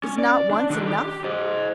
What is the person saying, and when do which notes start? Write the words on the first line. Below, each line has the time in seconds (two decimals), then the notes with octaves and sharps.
Is not once enough?
0.04 C#4
0.18 D5
0.50 D4
0.70 D#3 D4
0.86 G4
1.24 C5 D#5